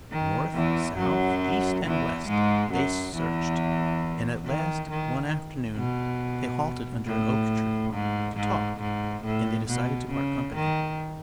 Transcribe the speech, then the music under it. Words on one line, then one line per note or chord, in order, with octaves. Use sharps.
North, south, east, and west, they searched; and at last, one afternoon, they halted under an oak tree, to talk, and they decided to part company.
D#3
E2 E3
F#2 F#3
E2 E3
G#2 G#3
F#2 F#3
E2 E3
D#3
D#3
B2
A2
G#2
G#2
G#2
A2
B2
C#3
D#3